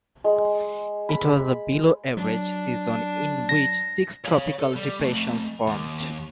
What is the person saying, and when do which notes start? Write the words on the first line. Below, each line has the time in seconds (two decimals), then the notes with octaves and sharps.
It was a below average season in which six tropical depressions formed.
0.24 G#3
1.09 B5
2.17 F#3 D4
3.49 A#6
4.25 C#5 F5
4.59 A4
4.76 G3
4.99 F3 A3
5.67 D#2